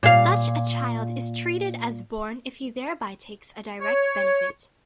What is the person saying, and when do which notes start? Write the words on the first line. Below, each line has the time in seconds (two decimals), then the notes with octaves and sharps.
Such a child is treated as born if he thereby takes a direct benefit.
0.03 A#2 F5
3.80 C#5